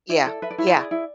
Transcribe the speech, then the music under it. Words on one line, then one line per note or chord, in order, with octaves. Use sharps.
Yeah, yeah.
E4 D5
A4
B4 E5
D5
E4 C#5
D5
G#4
E4